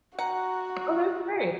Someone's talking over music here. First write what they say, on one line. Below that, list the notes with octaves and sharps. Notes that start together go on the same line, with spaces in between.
Oh, that's great.
F#4 F#5 A#5